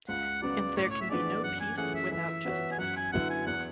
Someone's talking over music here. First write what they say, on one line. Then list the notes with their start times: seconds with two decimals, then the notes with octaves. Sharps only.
And there can be no peace without justice.
0.09 C#2 F#5
0.42 C#3 F#3 B3 F#4 D5
0.76 A2 C#5
0.83 D5
0.90 C#5
1.01 E5
1.09 E3 B3 D4 G#4 D5
1.44 F#2 F#5
1.60 G#5
1.77 E3 A3 C#4 G#4 F#5
1.95 E5
2.12 E3 E5
2.45 B3 F#4 C#5
2.72 G#5
2.79 F#2 F#5
2.96 G#5
3.12 D3 F#3 B3 E4 F#5
3.30 G#5
3.46 E2 F#5